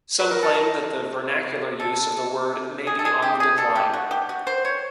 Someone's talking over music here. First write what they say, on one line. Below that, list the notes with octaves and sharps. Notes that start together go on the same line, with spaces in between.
Some claim that the vernacular use of the word may be on the decline.
B4
A#4
A4
A#4
A4
G#4
A4
G#4
G4
G#4
A4
G4
F#4
G4
F#4
C5
C#5